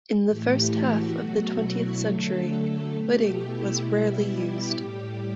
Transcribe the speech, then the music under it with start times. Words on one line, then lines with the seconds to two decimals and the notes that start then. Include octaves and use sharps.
In the first half of the twentieth century, hooding was rarely used.
0.22 A2 E3 A3 G4
0.68 F#4
1.13 B2 F#3 A3 F#4
1.57 E4
2.02 D3 F#3 A3 A4
2.92 B2 A3 G4
3.38 E4
3.83 B2 G3
4.27 G4
4.72 A2 G3